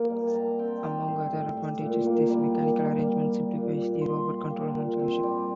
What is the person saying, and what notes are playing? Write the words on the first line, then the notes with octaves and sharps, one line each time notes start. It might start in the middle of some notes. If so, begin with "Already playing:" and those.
Among other advantages, this mechanical arrangement simplifies the Robot control arm solution.
Already playing: A#3
G3
A5
G3 A#5
C4 G5
G5
G3 A5
A2 C6
A2
G3
A#2
A#3
G3
A#3
G3
G3
G3
A#2
G3
G3 C6
G3
A#3
A#2
C4
G3